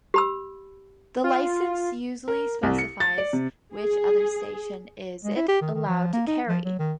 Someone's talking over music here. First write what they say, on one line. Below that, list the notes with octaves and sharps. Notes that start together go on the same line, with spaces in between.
The license usually specifies which other station is it allowed to carry.
G4 B5 E6
F4
A#4
C2
C#7
A6
D5
C3
G#4
G#3
E4
G4
D#3
D#3
F3
A#3
D#4
F3
F#3
D#3